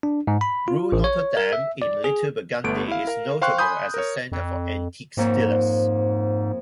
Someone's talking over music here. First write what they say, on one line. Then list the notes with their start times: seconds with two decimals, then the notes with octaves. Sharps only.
Rue Notre-Dame in Little Burgundy is notable as a centre for antiques dealers.
0.03 D4
0.27 G#2
0.41 B5
0.68 F4
0.92 A1
1.04 C#5
1.37 A#4
1.53 E5
1.82 D5
2.04 G#4
2.64 G1 A3 B3 D7
2.88 E4 F5
3.07 A#4 F5
3.41 C5 F5 G5 C6 C#6 F#6
3.58 G#5 B5 C6 D#6 G6
3.94 A#4 C#5
4.32 F2
5.17 F2 G#2 A#3 C#5